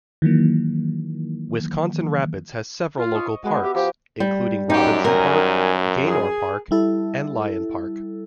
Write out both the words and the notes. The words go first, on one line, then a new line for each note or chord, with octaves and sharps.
Wisconsin Rapids has several local parks, including Robinson Park, Gaynor Park, and Lyon Park.
D#3 E3 F#3 A#3
F4
D#5 C#6
G#3 B3 F#4
G4 E5
F3 G4 C5 G5
G3
F#2 G3 D#4 G4
D#3 G3 A#4 G#5
G#4
G3 E4 A4